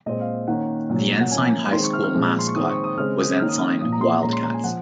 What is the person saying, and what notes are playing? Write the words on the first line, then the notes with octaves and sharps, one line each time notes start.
The Ensign High School mascot was Ensign Wildcats.
A#2 G#3 C4 D#5
F5
D#3 A#3 C#4 F#5
A#2 F#3 C#4
F#5
F3 A#3 C#4 G#5
D#3 G#3 C4 C6
C#6
F6
F6
A#2 F3 G#3
C6
C#6
D#3 G#3 C4 D#6
C#6
D#6
C#3 G#3 C4 F6
D#6
D#3 A#3 C#4 F6
D#6
F6
A#2 F3 A#3 D#6
A#5
C6
A#2 G#3 C#4 A#5
C6
A#5
G#5
F3 F#5